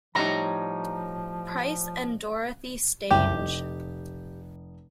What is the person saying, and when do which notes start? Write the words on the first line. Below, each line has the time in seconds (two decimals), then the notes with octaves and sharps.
Price and Dorothy Stange.
0.15 A2 F3 G3 D#4 C#5 A#5
3.11 F#1 C2 G4
3.31 F1 D#5